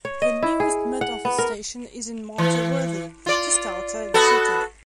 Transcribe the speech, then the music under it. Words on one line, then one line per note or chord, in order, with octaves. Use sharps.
The nearest Met Office station is in Martyr Worthy, just outside the city.
C#5
D#5
E4
G#4
F#5
B3
A#4
E3
F4 D5
B3 F#4 A4